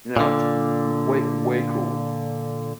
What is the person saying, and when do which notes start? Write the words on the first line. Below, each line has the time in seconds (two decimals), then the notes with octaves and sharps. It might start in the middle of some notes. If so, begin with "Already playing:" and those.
Yeah, it's w w way way cool.
0.16 A#2 D3